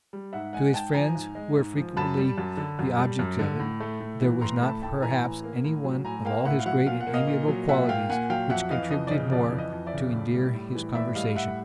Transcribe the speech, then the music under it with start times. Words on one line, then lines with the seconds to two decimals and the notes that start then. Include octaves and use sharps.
To his friends who were frequently the objects of it, there was not perhaps any one of all his great and amiable qualities which contributed more to endear his conversation.
0.13 G3
0.33 G#2 E5 F#5
0.53 G#3 F#5 G#5
0.74 G#2 G5 A5
0.94 F3 G#5 A#5
1.15 G#2
1.35 G#3
1.56 G#2
1.77 F3
1.97 F#2 A5 B5
2.17 G3
2.38 F#2
2.57 D3
2.79 F#2
2.98 G3
3.19 F#2
3.39 D3
3.60 A2
3.80 A3
4.00 A2
4.22 E3
4.41 A2 A#5 C6
4.62 A3 A5 B5
4.82 A2 G5 A5
5.02 E3 G#5 A#5
5.24 A2
5.44 A#3
5.64 A2
5.84 F#3
6.05 A2 G#5 A#5
6.25 A#3 F5 G5
6.45 A2 E5 F#5
6.59 F5
6.66 F#3 E5 F#5
6.86 A#2 F5
7.01 F#5
7.07 A#3
7.14 D#5 F5
7.27 A#2
7.48 F#3
7.69 A#2 E5 F#5
7.89 A#3 F5 G5
8.10 A#2 F#5 G#5
8.30 F#3 F5 G5
8.50 F2 E5 F#5
8.70 E3 D#5 F5
8.91 F2 D#5
9.07 D5
9.11 C#3 D#5
9.31 F2 D5
9.52 E3
9.58 D#5
9.72 F2
9.86 D5 E5
9.94 C#3
10.13 A2
10.34 G3
10.54 A2
10.75 E3
10.95 A2 D5 E5
11.15 G3 D#5 F5
11.36 A2 E5 F#5